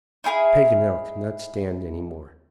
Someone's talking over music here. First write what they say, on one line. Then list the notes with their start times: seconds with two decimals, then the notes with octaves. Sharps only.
Paganel could not stand any more.
0.24 D#4 E4 G#4 F5